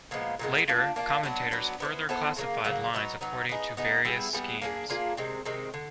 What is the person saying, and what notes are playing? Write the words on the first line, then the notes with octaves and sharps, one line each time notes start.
Later commentators further classified lines according to various schemes.
A#2 F3 G#3 B3
A#2 F3 G#3 B3
A#3 D4 F4
A#3 D4 F4
F#3 B3 D4
F#3 B3 D4
B3 E4 A4 C5
B3 E4 A4 C5
C#3 F#3 A#3
C#3 F#3 A#3
F#3 B3 D#4
F#3 B3 D#4
B3 D#4 G#4
B3 D#4 G#4
G3 B3 E4 G#4
G3 B3 E4 G#4
A#3 D4 F4 G#4
A#3 D4 F4 G#4
C3 D#3 G#3 C4
C3 D#3 G#3 C4
D3